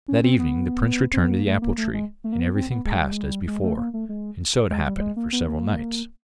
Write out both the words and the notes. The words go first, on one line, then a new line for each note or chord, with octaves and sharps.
That evening the prince returned to the apple tree, and everything passed as before, and so it happened for several nights.
C#4
C4
B3
C4
B3
A#3
A3
A#3
A3
G#3
A3
A#3
B3
C4
B3
G#3
G3
G#3
G3
G#3
A3
A#3
A3
G#3
G#3
G3
G3
G#3
A#3
B3
A#3